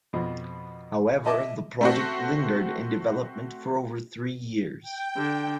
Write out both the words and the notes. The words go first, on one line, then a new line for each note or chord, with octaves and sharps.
However, the project lingered in development for over three years.
F2 B2 F3
D#5 E5 A5 D6
A3 C4 F#4
G5
D3